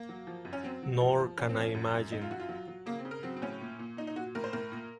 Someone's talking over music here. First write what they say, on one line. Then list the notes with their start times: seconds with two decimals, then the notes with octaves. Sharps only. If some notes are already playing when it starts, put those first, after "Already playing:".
Nor can I imagine.
Already playing: A#3
0.09 F#3
0.27 F3
0.45 F#2
0.53 C#4
0.63 F#3 C4
0.83 F#3
1.00 F3
1.20 F3
1.38 F3 C#4
1.49 C4
1.57 F3 C#4
1.75 F#2
1.94 F#2
2.12 F#2 D#4
2.22 F4
2.31 F#2 F#4
2.40 F4
2.49 F#3
2.68 F#3
2.86 C#3 A#3
2.99 C4
3.05 C#3
3.11 A#4
3.23 F#3 C4
3.36 C4
3.42 A2 C#4
3.61 A#2
3.79 A#2
3.97 A#2 D#4
4.07 D#4
4.16 A#2 F#4
4.35 A2 A#4
4.44 C5
4.53 A2 A#4
4.72 A#2